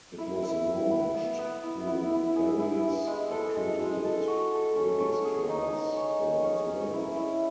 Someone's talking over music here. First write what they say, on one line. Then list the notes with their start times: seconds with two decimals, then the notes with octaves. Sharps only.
It was launched through various accredited registrars around the world.
0.18 E4
0.43 E4
0.68 E4
0.91 B4
1.15 B3
1.39 B3
1.63 E4
1.87 E4
2.11 E4
2.36 G#4
2.60 E4
2.84 E4
3.07 G#3
3.31 A4
3.56 G#3
3.79 G#3
4.05 A4
4.27 F#4
4.53 A4
4.76 C#4
5.00 C#5
5.25 G#4
5.49 D#4
5.72 D#4
5.97 C#5
6.21 C#4
6.44 C#4
6.68 C#4
6.93 E4
7.17 E4